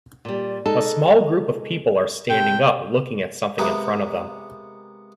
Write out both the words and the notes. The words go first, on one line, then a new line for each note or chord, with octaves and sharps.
A small group of people are standing up looking at something in front of them.
A#2 G3
G#3 D#4 A4
C3 G5
C3 G#3 A#3 B3 G4